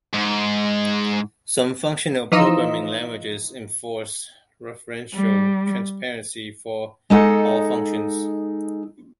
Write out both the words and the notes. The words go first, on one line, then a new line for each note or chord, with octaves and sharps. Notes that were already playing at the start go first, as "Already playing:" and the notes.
Some functional programming languages enforce referential transparency for all functions.
G#2
E3 F3 D#4 F4 D#5 E6
G3
G#3 D#4 A4 F#5